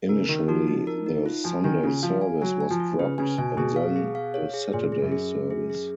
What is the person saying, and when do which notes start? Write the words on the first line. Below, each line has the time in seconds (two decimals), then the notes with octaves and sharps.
Initially, the Sunday service was dropped, and then the Saturday service.
0.09 C#3 A#4
0.29 D#3 A#4
0.48 F3 F#4
0.68 D#4
0.87 A#4
1.06 D#4
1.26 F4
1.44 F3 G#5
1.64 D#3 G#5
1.83 C#3 F4
2.03 F3 F5
2.22 G#5
2.42 F#3 G#5
2.60 G#5
2.71 F3
2.80 F4
2.99 C#3 B4
3.18 C#3 G#5
3.38 B2 G#5
3.57 B2 G#4
3.76 F5
3.96 G#4
4.15 F5
4.34 C#5
4.54 G#4
4.73 A#2 G#4
4.92 G#4
5.02 F#2
5.12 G#4
5.31 G#4
5.50 G#4
5.69 G#4